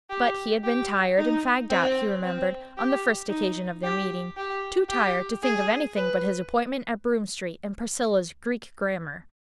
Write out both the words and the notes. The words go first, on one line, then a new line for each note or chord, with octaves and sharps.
But he had been tired and fagged out, he remembered, on the first occasion of their meeting--too tired to think of anything but his appointment at Broome street, and Priscilla's Greek grammar.
G4
G4
D#4
C4
C4
G4
D#4
G4
G4
G4
G#4
B4